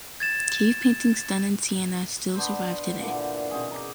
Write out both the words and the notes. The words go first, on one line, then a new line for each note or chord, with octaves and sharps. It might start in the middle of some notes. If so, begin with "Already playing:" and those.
Cave paintings done in sienna still survive today.
G#6 A6 E7
B3 D4 B4 C5
A#2 D3 E3
B2 C4 C#4 G#4
A#5 D6